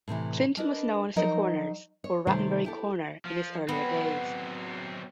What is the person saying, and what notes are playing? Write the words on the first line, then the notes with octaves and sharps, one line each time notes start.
Clinton was known as "The Corners" or "Rattenbury Corner" in its earlier days.
A2 C3 D#3 E3
D4 A#4 B4 D#5
F3 F#3 D#4 A#4 C#5 D#5
C#5
C3 D#3 G3 A3 C5 C#5
E4 G4 A4
F3
F#3 B3 C4